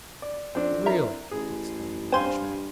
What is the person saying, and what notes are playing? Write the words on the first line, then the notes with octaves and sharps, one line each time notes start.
"Really!" exclaimed the Englishman.
D5
F2 C4 D4
E4 A#4
A1 G#4
G2 C4 C5 F5 G#5